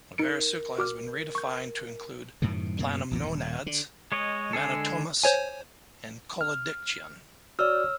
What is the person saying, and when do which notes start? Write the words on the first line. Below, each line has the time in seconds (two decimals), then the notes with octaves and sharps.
Varisulca has been redefined to include planomonads, Mantamonas and Collodictyon.
0.18 D#4 A#4 C#7 D7
0.78 F#4 D6 F6
1.35 C#6 G6
2.42 F#2 A2 C3 D#3
2.79 F#2 B2 A#3
3.11 A1 E2 A#2
3.27 D#1
3.66 D3
4.12 G#3 C#5 D#5
4.53 D3 G#3 G#4 A4
5.24 C5 C#5 G#5
6.41 F6
7.59 F#4 C#5 D5 E6 F6